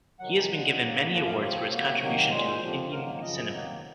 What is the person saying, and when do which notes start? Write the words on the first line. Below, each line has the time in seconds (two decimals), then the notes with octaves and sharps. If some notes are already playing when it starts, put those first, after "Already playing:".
He has been given many awards for his contribution to Indian Cinema.
0.20 C3 D#3 F#3 F#5
0.35 G#5
0.50 A#2 F3 G#3 F#5
0.80 G#2 F#3 A#3
1.10 F#2 F3 A#3 F#5
1.25 F5
1.41 C3 F3 A#3 C#5
1.71 C3 F#3 A#3 C#5
2.00 C3 D#3 F#3 A#3
2.31 A#2 G#3 C5
2.61 F2 C3 F3
2.91 G#2 D#3 F#3 A#3 A#4
3.07 A#4
3.21 F#2 C#3 F3 D#5
3.52 C3 D#3 F#3 A#3